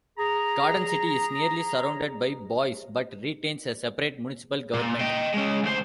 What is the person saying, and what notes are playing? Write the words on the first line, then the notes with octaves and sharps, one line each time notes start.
Garden City is nearly surrounded by Boise but retains a separate municipal government.
G#4 A#5
A#2
D#5 G5
G#3 C#4
D2 C5